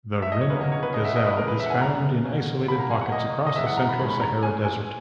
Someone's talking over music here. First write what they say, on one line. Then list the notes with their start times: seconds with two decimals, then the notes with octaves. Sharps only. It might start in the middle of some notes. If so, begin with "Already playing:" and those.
The rhim gazelle is found in isolated pockets across the central Sahara Desert.
0.22 E5
0.32 D#5
0.41 C#5
0.50 E2 C#3 F#3 A#3 C#4 B4
0.61 D#5
0.72 C#5
0.83 B4
0.94 B2 G#3 C#4 D#5
1.05 E5
1.16 D#5
1.26 B4
1.37 C#3 E3 G#3 A#4
1.48 B4
1.60 E5
1.66 F#5
1.70 G#5
1.81 F#2 C#3 G#3 B3 A#5
2.24 B2 A#3 C#4
2.68 B2 F#3 A#3 C#4 B5
2.80 A#5
2.90 G#5
3.01 F#5
3.12 A#2 F#3 A#3 D#5
3.47 D#5
3.56 F#2 E3 G#3 B3 E5
3.67 F#5
3.77 A#5
3.89 B5
3.99 G#2 D#3 G#3 C#4 B5
4.10 B5
4.21 A#5
4.43 A#2 G#3 C#4 G#5
4.65 G#5